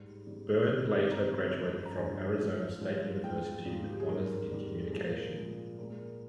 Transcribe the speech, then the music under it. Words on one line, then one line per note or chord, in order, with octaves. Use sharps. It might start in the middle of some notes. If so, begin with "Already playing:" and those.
Byrne later graduated from Arizona State University with Honors in Communication.
Already playing: G#2 G3
G#2 G3
C3 D#3 G3
C3 D#3 G3 A#5
G2 D3 F3 G#3
A#5
G2 D3 F3 G#3 G#5
G#2 F3 G#3
G#2 F3 G#3
G#2 F3 G#3 G5
G#2 F3 G#3
G4
G#4
G#2 G3 A#4
G#2 G3
G#4
A#2 F3 G#3 A#4
A#2 F3 G#3
A#2 G#3 A#4